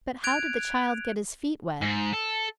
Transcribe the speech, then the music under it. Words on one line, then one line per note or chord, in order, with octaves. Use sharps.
"But how did the child get his feet wet?"
F#6 G#6 D7 F7
G#2
A4